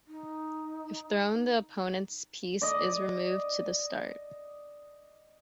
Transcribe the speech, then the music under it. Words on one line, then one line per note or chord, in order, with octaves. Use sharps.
If thrown, the opponent's piece is removed to the start.
D#4
D5 D#5